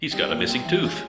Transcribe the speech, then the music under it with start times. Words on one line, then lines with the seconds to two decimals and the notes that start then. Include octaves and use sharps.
He's got a missing tooth!
0.11 G3 C4 D#4
0.28 A#2
0.47 G3 C4 D#4
0.65 E3
0.83 G#3 C#4 F4